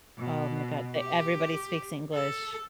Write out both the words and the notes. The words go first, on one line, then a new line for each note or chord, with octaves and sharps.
Oh my god. Th everybody speaks English.
B2
G4
A4